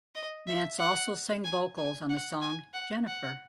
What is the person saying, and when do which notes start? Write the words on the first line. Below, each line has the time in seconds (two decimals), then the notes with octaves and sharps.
Mats also sang vocals on the song "Jennyfer".
0.15 D#5
0.47 E5
0.79 F#5
1.44 G#5
1.77 G#5
2.10 F#5
2.41 G#5
2.74 F#5
3.07 F#5